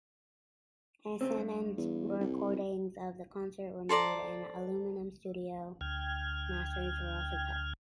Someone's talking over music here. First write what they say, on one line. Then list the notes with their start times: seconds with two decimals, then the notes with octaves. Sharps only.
Acetate recordings of the concert were made, and aluminum studio masters were also cut.
1.21 C#3 C4
1.38 G2
1.78 E2
2.20 C2
3.89 A4 C5 D5 A#5
5.81 D2 G5 F6 G#6